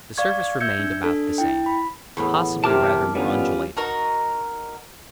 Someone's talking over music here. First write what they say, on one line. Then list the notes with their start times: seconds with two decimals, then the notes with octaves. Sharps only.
The surface remained about the same -- possibly rather more undulating.
0.18 D5 F5 C#6 G#6
0.60 E5 E6 G6 G#6 C#7
0.79 D4
1.04 D4 A4
1.38 E4 G5
1.66 B5
2.17 E2 A2 B3
2.64 C3 A#4 A5 D6 F6
3.15 D3 G3 B3 C#4 F4
3.77 D#4 F#4 A#4